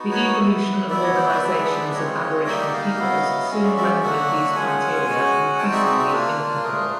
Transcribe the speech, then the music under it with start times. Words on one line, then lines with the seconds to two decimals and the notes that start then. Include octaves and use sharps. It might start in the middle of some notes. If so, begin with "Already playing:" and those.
The evolution of organizations of aboriginal peoples soon rendered these criteria increasingly inapplicable.
Already playing: B3 D#4 F#4
0.12 B4 C#5
0.38 B3 E4
0.90 F#3 B3 E4 D5 E5
1.03 C#5 D#5
1.16 C5 D5
1.29 D5 E5
1.43 G#3 B3 D4
1.94 G#3 C4 F4 C#5 D#5
2.46 G3 A#3 D#4 D5 E5
2.68 F#5
2.72 D#5 F5
2.99 F#3 B3 E4
3.50 G#3 C#4 F#4 D#5 F5
3.64 D5 E5
3.77 D5 E5
4.03 F#3 A#3 D4 F#4 E5 F#5
4.55 G#3 C#4 F4 F#5 G#5
5.08 G#3 C#4 F#4
5.59 G#3 C4 D#4 F#4 G5 A5
5.72 D5 E5
5.86 D5 E5
5.98 D5 E5
6.11 A#3 D4 F4
6.63 A3 D4 F4 G#4 A#4